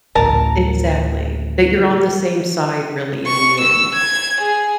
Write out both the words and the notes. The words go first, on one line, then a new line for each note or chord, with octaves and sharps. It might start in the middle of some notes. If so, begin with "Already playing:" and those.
Exactly. That you're on the same side really in the end.
A1 D2 A#4 A5 A#5
C#6
E6
G#6
G#4